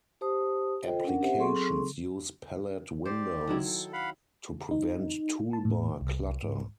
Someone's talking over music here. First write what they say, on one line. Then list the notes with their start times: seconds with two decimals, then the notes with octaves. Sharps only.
Applications use palette windows to prevent toolbar clutter.
0.21 G4 C5 A5 D#6
0.85 F4 A4 C5 D#5 G5
1.04 C#4 D4 A#4 F#5
1.20 C4 G4 C5 E5 F#5
1.37 F#3 C4 G#4 A4 C6 C#6
3.05 G4 C5 D5
3.47 D#3 F#3 E4
3.65 A4
3.93 F5 F#5 B5
4.71 D#4
5.53 A5
5.65 A2
6.01 C2
6.43 G#2